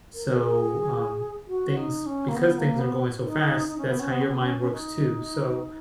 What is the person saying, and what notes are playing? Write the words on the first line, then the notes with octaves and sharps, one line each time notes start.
So, um, things because things are going so fast, that's how your mind works too, so
A#4
G#4
F#4
D#4
C#4
A#3
B3
A#3
B3
D#4
D#4
C#4
B3
C#4
B3
C#4
B3
C#4
C#4
D#4